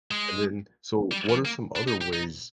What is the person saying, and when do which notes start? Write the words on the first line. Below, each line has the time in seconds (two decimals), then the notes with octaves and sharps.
And, then, so what are some other ways,
0.11 G#3
1.11 G3
1.29 F3
1.45 A#3
1.76 D4
1.88 D#4
2.01 G4
2.13 D#4